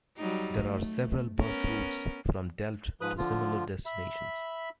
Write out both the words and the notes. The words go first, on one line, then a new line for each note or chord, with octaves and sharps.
There are several bus routes from Delft to similar destinations.
F#3 G3 D#4
A3
B3 C#4 A#4
G#2 F3 B4 B5 D#6
D3 F3 F4
E5 B5